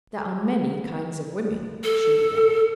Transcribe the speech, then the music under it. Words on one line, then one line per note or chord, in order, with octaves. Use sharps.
"There are many kinds of women," she began.
A4